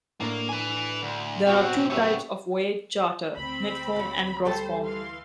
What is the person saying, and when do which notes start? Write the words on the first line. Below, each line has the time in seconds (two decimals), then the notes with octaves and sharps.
There are two types of voyage charter - net form and gross form.
0.20 A2 A#3 D4
0.49 B4 G#5
1.02 D2
1.46 B2 C4 F#4
1.90 C#3 F#3 A#3 B3 G4 C#5 E5
3.37 D2 C4 B5
3.96 F#4 C#5
4.45 G3 G4 A4 C5
4.84 E3 F5 C6